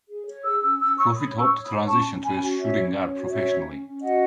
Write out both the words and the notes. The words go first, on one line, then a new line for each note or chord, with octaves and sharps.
Profit hoped to transition to a shooting guard professionally.
G#4
C#5
G#4 E6
C#4 E6
C#4 E6
C#5 C#6 E6
C#5 B5 D#6
C#4
C#6 E6
C#5
B5 D#6
C#5
C#4 A5 C#6
C#4
C#4 G#5 B5
F#4
C#4 C#5 E5
C#4
C#5
F#4
C#4 C#5 E5
C#4
C#4
C#4
F#4 D#5 F#5